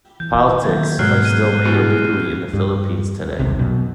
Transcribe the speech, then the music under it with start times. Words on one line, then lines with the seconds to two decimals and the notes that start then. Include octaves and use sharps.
"Paltiks" are still made illegally in the Philippines today.
0.20 E3 G6
0.64 D#3 F#3 A#3 E5 G#6
0.99 G#2 B2 F#3 G#3 B4 F6 F#6 C7
1.25 F#6 D#7
1.65 B2 E3 G#4
2.53 G2
3.39 D#1 B1 C3
3.59 F#2 B2